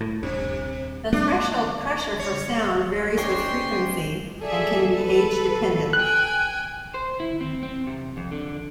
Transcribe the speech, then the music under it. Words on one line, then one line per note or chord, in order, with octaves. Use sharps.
The threshold pressure for sound varies with frequency and can be age-dependent.
A2
D#1 G2 C3
G#3 A#3 C4 D4
C#5
D#3 C#4 D4 G4 C5 C#5 G5 C6
G#4 A4 D5 E5
B4
G5 G#5 F#6
C5
E4
C4
C4
C3
F2
D3